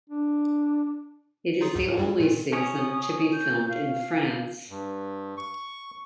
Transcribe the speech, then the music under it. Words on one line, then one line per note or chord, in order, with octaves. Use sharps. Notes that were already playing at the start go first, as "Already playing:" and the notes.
It is the only season to be filmed in France.
D4
D#4 F4 G#4
C#2 G#2
G2 G3
A#2 D#3
C#4 D#6
G6
F5
G2
C#6